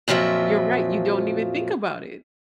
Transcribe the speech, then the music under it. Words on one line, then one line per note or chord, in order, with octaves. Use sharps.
You're right, you don't even think about it.
F2 A#2 F3 F#3 E5